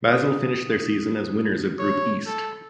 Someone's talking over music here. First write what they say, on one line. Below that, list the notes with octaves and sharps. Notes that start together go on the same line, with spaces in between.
Basel finished their season as winners of group East.
D#6
C#5
A4